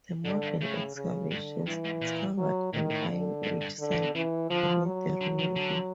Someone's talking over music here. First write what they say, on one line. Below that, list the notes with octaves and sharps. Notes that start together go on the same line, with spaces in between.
The modern excavations discovered an Iron Age site beneath the Roman villa.
G#2 D3
G2
A2 C#3
C#3
G2 D3
G2 E3
G#2
A#2
F#3
A#2 D#3
A2
D3
G#2
G2
D3
A2
B2
C#3 E3
D3 F3
F#3
D3
D#3
D3